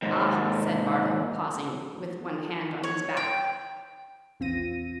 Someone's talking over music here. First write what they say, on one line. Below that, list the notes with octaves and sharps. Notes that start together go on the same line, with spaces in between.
"Ah!" said Bartle, pausing, with one hand on his back.
D#2 G#2
C#5
G5
A#1 E2 C4 F4 A#6 D#7